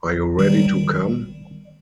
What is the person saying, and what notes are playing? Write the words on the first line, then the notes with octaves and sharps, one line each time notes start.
Are you ready to come?
D#3 G3